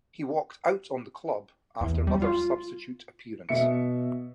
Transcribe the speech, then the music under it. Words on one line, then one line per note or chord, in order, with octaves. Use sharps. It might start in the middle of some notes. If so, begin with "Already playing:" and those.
He walked out on the club after another substitute appearance.
E2
G3
F4
B2 E5 C#7